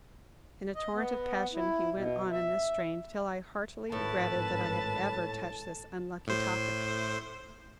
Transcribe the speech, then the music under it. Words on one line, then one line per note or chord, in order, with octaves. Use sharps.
In a torrent of passion, he went on in this strain, till I heartily regretted that I had ever touched this unlucky topic.
D#5
B3
E4
B2
E5
G#1 A2 B4 A5
A2 C5